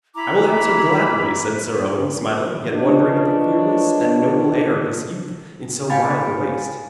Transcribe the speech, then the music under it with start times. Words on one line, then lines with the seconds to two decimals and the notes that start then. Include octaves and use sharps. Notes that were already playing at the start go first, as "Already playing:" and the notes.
'I will answer gladly,' said Sir Owen, smiling, yet wondering at the fearless and noble air of this youth in so wild a waste.
0.14 E4 A#5 B5 D6
2.71 D#3 F3 D4 B4 C#5 D#5
5.90 F5 G5 G#5 B5 A6